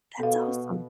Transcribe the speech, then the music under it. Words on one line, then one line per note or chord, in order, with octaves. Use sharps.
That's awesome.
B2 A4 F5